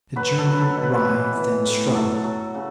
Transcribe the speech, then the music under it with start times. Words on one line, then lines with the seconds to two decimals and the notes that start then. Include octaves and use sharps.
The German writhed and struggled.
0.16 F#3 B4
0.38 A4
0.46 F#3
0.61 A4
0.76 B2
0.83 B4
1.05 E3 B4
1.35 E3
1.65 A2
1.94 F#3 A4
2.24 F#3
2.55 C#3